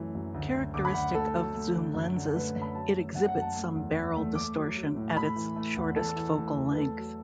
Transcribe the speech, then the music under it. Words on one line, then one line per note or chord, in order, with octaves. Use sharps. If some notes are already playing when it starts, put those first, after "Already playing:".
Characteristic of zoom lenses, it exhibits some barrel distortion at its shortest focal length.
Already playing: F#2 E3 A3
F#2
D2
D2
D2 D6
B5
D2 F#5
A3 A4
F#3
A3
D3
F#2
D3
A3 B4
F#2
B5
F#3 A5
A3
F#2 F#5
F#5
F#2
A5
A3
E2
E2
A3
A3 D6
F#3
F#3
A2
A3 B5
E3
A3
E2
E2 A4
E3
A3
E2
B4
A3 A4
F#3